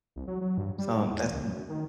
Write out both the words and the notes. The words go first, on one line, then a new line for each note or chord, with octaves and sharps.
so that's m
C2
F#3
F#3
G2
G3
G#2
E2
C#2
F#2
D#3